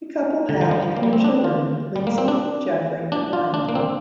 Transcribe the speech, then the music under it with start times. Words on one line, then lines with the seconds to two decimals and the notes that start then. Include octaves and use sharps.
The couple had three children: Lindsey, Jeffrey, and Ryan.
0.49 D3
0.61 F3
0.71 G3
0.83 F3
0.97 A#3
1.03 G3
1.13 C4
1.24 D4
1.44 F4
1.96 G3
2.07 A#3
2.18 C4
2.28 D4
3.12 D4
3.33 F4
3.54 D4
3.69 A#3
3.75 C4